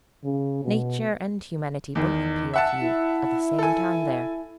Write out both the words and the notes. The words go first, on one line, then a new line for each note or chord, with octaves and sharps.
Nature and humanity both appeal to you at the same time there.
C#3
B2
E2 D#3
E5 F#5 A5
E4
A4 G#5